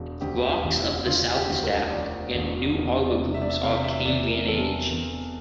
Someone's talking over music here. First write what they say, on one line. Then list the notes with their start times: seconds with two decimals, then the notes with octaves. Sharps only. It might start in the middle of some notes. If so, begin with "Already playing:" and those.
Rocks of the South Stack and New Harbour Groups are of Cambrian age.
Already playing: E1
0.21 D2 G4
0.46 G4
0.50 F4
0.64 E1
0.78 E4
1.07 D3 F4
1.35 G4
1.49 D2
1.63 A#4
1.92 F3 D5
2.34 E1
2.78 E2
3.06 D5
3.20 C3
3.34 E5
3.42 D5
3.49 E5
3.63 C3 F5
3.84 E5
4.06 E2 D5
4.27 A#4
4.48 E2 A4
4.91 E2